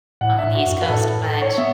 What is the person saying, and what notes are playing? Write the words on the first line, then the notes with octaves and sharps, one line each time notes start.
on the East Coast, but
A2 F#5
E5
A2
F#4
F#2
F#4
B4
A2 A4
A4
C#5
B3 E5